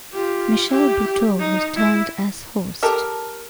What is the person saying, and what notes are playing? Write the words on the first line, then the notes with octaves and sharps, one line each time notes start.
Michelle Buteau returned as host.
F4 G4
E4 G4
D#4
E4
G4 A4 A#4